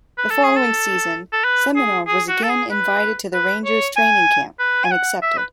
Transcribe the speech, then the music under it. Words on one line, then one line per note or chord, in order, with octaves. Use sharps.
The following season, Semenov was again invited to the Rangers training camp, and accepted.
B4
A4
G#4
A4
A4
B4
G#4
G#4
F#4
A4
G#4
B4
B4
C#5
G#5
B4
G#5
F#5
E5
B4